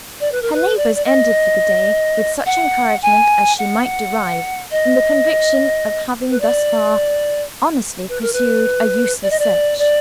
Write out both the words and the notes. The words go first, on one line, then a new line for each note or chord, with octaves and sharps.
Her labors ended, for the day, with such encouragement as she might derive from the conviction of having, thus far, honestly pursued a useless search.
D5
B4
A#4
B4
D5
D5
D#5
F#5
G#5
F#5
D#5
B4
D5
B4
A#4
B4
D5
D#5
D5
D5